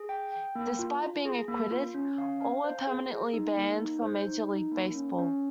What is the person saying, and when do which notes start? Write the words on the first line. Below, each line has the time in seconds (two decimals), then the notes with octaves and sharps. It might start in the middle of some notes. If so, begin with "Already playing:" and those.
Despite being acquitted, all were permanently banned from Major League Baseball.
Already playing: G#4
0.09 G5
0.33 G5
0.55 A#3
0.79 F4
1.02 F4
1.25 G#4
1.48 A#3
1.71 F4
1.94 C#4
2.18 F5
2.41 F5
2.64 C5
2.87 G#4
3.10 G#4
3.33 D#4
3.56 A#3
3.79 D#4
4.02 C5
4.25 D#4
4.49 D#4
4.71 A#3
4.95 C#4
5.18 C#4